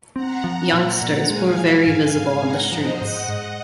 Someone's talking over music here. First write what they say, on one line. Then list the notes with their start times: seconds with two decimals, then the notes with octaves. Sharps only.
Youngsters were very visible on the streets.
0.15 C4 F#5 A#5
0.44 F3
0.72 A#2 F#5 A#5
1.02 A#2
1.29 G#3 F5 G#5
1.57 F3
1.87 G#2
2.15 G#2
2.43 G#3 F#5 A#5
2.72 F3 C5 D#5
3.01 G#2 D#5 F#5
3.29 G#2